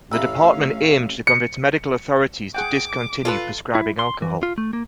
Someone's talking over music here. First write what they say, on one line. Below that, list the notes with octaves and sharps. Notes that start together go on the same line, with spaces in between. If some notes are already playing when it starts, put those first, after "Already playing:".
The department aimed to convince medical authorities to discontinue prescribing alcohol.
A1 A2 C#4 E5 F5 A#5 B5 E6
C#7
G#4 F#5 G5 D6
F4 G#4 A4 B4
E4
C6
E3
F4
A3
A#3